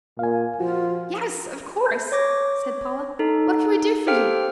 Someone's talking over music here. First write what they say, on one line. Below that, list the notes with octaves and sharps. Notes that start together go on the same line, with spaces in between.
"Yes, of course," said Paula; "What can we do for you?"
A#2 F5 G#5
F3 F4 F#4
C#5 D6 A#6
D#4 A4
G4 A4 C5 F5 G5 F6